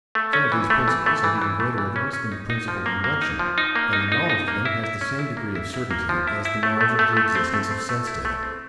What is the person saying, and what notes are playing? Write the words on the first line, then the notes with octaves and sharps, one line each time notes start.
Some of these principles have even greater evidence than the principle of induction, and the knowledge of them has the same degree of certainty as the knowledge of the existence of sense-data.
A3
C#4
E3
A3
E3
A3
E3
E3
A3
E3
C#4
C#4
D#4
D#4
F3
A#3
A#3
D#4
F3
D#4
A#3
D#4
D#4
D#4
A#3
E4
E4
C#4
E4
A#3
E4
E4
A#3
F3
E4
E4
A3
A3
A3
A3
C4
A3
C4
A3
E4
A3
C4